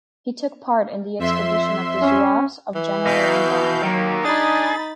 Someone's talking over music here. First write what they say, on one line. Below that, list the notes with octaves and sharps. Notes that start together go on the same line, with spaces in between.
He took part in the expedition of the Zouaves of General Randon.
F2 E5 C6
C#4
E3
B2 F5 G6
D#3 F#3 A#3
D4 D#4 G#4 B5 A6